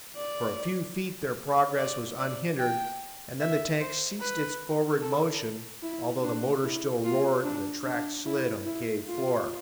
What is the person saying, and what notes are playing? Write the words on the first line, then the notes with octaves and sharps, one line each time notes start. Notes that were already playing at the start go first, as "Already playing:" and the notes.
For a few feet their progress was unhindered and then the tank ceased its forward motion, although the motor still roared and the track slid on the cave floor.
D5
D5
D5
G5
E5
C5
B4
A4
E4
D4
E4
F4
D4
D4
E4
E4
F4